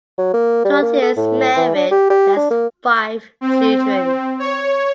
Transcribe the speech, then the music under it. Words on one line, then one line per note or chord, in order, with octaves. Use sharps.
Trottier is married and has five children.
F#3
A#3
G3
A#3
A4
A2
E3
D4
G4
G4
D4
A#3
C4
C#5